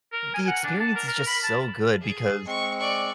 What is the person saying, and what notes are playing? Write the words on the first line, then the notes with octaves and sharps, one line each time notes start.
The experience is just so good because,
A#4
G#5
F#5
D4
A5
A#4
A#4
B5
A5
G#4
G#3 C4 C#6
D5 C#6